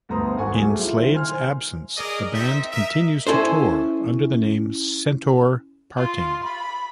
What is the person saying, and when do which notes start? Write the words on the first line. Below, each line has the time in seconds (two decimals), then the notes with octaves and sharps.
In Slade's absence, the band continues to tour under the name Centaur Parting.
0.09 D2 G2 B3 C5 A#5 D#6
0.36 G#1 A4 F#5 G#5 C#6
0.58 F#3 G3 A3 G#4
0.78 E4 F4 C5
0.98 D#3
1.14 C5 G#5 F6
1.97 G#4 A#4 D5 D#5
2.35 C4 D#4 E5
2.71 A#4 D#5 E5
3.27 C#4 E4 A4 C5
5.98 F4
6.44 B5